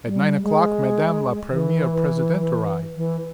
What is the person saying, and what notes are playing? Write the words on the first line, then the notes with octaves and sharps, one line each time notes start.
At nine o'clock Madame la Premiere Presidente arrived.
G3
G#3
E3
E3